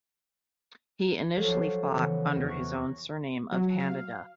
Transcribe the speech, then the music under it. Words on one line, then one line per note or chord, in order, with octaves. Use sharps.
He initially fought under his own surname of Hanada.
F3 F#3 A4 C#5 C7 E7
C#3 E3 B3
E2 G4 F6 A#6
C#6 F#6 G#6
F#3
F5